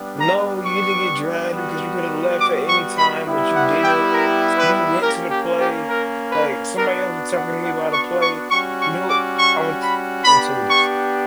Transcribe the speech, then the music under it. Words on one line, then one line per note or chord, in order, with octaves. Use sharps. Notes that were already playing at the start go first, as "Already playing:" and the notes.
No, you didn't get dragged because you could've left at any time, but you didn't, s you went to the play, like, somebody else was talking to me about a play, you know, I want Imma tell you this,
Already playing: G3 B3 D4
A#5
C#6
G3 B3 F#4
D6
C#6
B5
G3 B3 E4 G4
F#5
G5
A#4
B4
A#3 C#4 G4 A#4
G4
G4
A#4
B4
B3 D4 F#4 A#4
F#5
F#5
C#6
C#6
G3 C#4 F#4 C#6
C#6
D6
C#6
B5
B3 D4 G4 B5
C#6